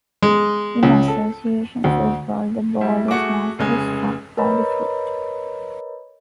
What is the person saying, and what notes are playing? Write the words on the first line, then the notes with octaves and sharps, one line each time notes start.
In association football, the ball is mostly struck by the foot.
G#3
C#2
A4
D2
G3 E4
A3 F#4 G#4 D6
F1 C#3 G#3 G#5
A#4 B4 C#5 D#5 A#5 B5